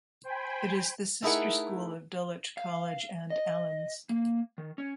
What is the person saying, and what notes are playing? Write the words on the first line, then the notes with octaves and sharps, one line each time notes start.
It is the sister school of Dulwich College and Alleyn's.
C5 G5 G#5 B5
A3 D#4 E4 G#4 A#4 F#5
F5
D#5
A#3
D#3
C#4